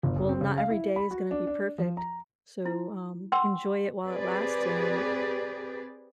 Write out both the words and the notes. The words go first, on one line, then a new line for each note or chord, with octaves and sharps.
well, not every day is gonna be perfect, so, um, enjoy it while it lasts and
G1
F#1
C4
C#3
F5
E4
B5
F#4
D4
D4
F3
A#5
E4
F#5 G5 C6 E6
C4 G4 G#4 B4 D5